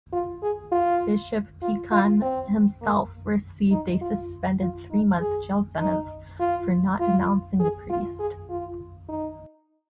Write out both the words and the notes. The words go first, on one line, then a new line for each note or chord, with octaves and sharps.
Bishop Pican himself received a suspended three-month jail sentence for not denouncing the priest.
F4
G#4
F4
F4
F4
C4
A#3
D#4
F4
F4
D#4
G#4
D#4
F4
F4
G#4
F4
G#4
F4
D#4